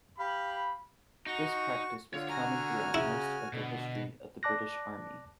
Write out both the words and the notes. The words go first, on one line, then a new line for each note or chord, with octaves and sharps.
This practice was common throughout most of the history of the British Army.
G4 F5 B5
D#4 F#4 C#6
D3 F4 C#5
F#4 G#5 A#5 F6
C#3 E4
B2 D3
D5 A5 D6 F#6 A#6